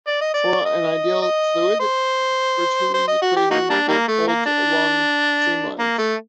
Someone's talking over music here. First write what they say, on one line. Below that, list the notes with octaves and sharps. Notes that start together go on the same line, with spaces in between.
For an ideal fluid, Bernoulli's equation holds along streamlines.
D5
D#5
D5
D#5
D#5
C5
C5
D#5
F#4
G4
A#3 D#4 F#4
G3 A#3 D4
D#3 G3 A#3
A3
A#3
D4
A#3
A3